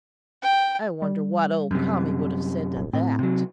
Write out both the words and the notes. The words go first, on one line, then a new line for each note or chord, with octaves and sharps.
I wonder what old Kami would have said to that.'
G5
G3
F#2 C3
D#1
A2 C4
C3 F#3